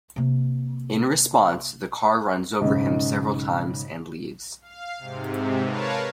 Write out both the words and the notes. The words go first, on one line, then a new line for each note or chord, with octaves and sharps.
In response, the car runs over him several times and leaves.
C3 A#3
B1 G#2 C#3
F5
G#2 C3
A#4 B4 C#5 F5 A5